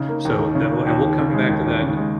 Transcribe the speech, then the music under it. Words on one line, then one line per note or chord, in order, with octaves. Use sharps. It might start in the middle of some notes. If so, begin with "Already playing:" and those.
So that will and we'll come back to that in a
Already playing: C#3 D#4
A#3
D#2
D#4
C#3
A#3
D#2
D#2
C#3
G#3
D#2
D#2
C#3
G#3